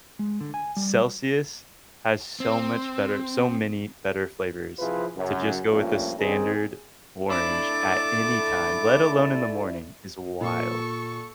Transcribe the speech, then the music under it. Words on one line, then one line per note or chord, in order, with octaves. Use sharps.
Celsius has so much better so many better flavors. To just go with the standard orange at any time, let alone in the morning, is wild.
G#3
D3
G#5
G3
C4
C3 F3 E4 F4 G#4 B4
F#2 C#3
G2 A#2 F3 A3 C#4
D#3 C4 C#4 D#4 G#4
D3 A3 D4 E4 A4 D6 A6
A#2 A4 C#6